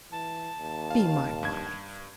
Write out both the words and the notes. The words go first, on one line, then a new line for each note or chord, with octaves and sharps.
Be my wife.
E3 A5
D#2
F5
G2 G#6